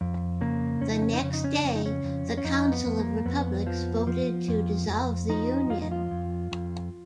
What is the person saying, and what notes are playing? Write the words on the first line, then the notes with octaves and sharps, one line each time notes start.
The next day the Council of Republics voted to dissolve the Union.
F2
C#3 A#3
F2 C#4
D#4
C#4
D#4
C#3 C#4
D#4
C#4
D#4
F2 C#4
D#4
C#4
F2
C#4
F2 D#4
B3
F2
A#3
F2 B3
F3
F3
F2
F2
F3 D#4
F2 F4
D#4
F4
F2
F2